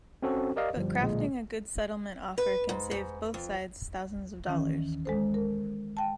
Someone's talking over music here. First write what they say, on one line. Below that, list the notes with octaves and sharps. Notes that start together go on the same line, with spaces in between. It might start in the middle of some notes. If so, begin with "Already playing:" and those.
But crafting a good settlement offer can save both sides thousands of dollars.
C4 C#4 F#4 A4 C5
G4 A#4 D5 D#5 F5
G1 F3 G3
B1 A#2 D3 G#3
B4
G#2
G#2
F2
D#3 E3 C#4
G#3 A4 C5
A#4
G5 A5